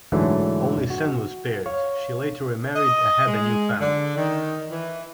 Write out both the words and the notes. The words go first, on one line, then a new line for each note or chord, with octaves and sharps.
Only Sen was spared; she later remarried and had a new family.
G#2 D3 E3 F#3 A3
F#4
C#5 F5
D#5
G#3
D3
D#3
E3